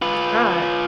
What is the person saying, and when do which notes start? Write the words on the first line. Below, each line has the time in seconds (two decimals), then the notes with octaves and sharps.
it's not.
0.02 F4 B4